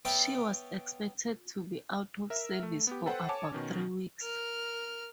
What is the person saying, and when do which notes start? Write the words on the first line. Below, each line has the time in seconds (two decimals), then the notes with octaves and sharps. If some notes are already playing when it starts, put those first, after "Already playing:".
She was expected to be out of service for about three weeks.
0.05 B3 C#5 E5 F5 G5 A5
2.30 A#4 E5
2.63 A3
2.87 B3 G4
3.06 A4 B4 C5 F#5 G5
3.29 C#5 G#5 A5 D6
3.53 B2 D#3 C#4
4.22 A#4 F6